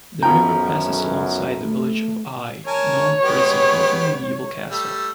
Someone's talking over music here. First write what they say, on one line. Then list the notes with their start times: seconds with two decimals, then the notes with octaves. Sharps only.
The river passes alongside the village of Eye, known for its important medieval castle.
0.23 B1 F#2 B2 F3 G5 A#5
1.63 A3
2.67 A#4 C#5 G#5 A5
3.23 G#3 B3 G4
4.71 G3 A3 E6